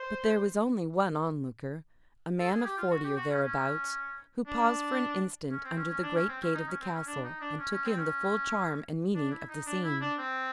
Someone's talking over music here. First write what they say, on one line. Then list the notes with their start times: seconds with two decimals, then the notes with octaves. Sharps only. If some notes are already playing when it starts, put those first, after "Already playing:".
But there was only one onlooker, a man of forty, or thereabouts, who paused for an instant under the great gate of the castle and took in the full charm and meaning of the scene.
Already playing: C5
2.39 A4
2.52 G#4
2.65 G4
2.78 F4
2.91 F#4
3.04 G4
3.17 F#4
3.31 C#4
3.43 C#4
4.47 D4
5.50 C#4
5.64 C4
5.77 C#4
5.89 C#4
6.03 D4
6.16 C#4
6.29 C4
6.42 C#4
6.55 D#4
6.68 C#4
6.80 C4
6.94 C#4
7.07 D4
7.24 D#4
7.41 D4
7.59 C#4
7.72 C#4
7.85 C4
7.98 C#4
9.15 D4
9.31 E4
9.49 D#4
9.66 D4
9.84 E4
10.01 D4
10.18 C4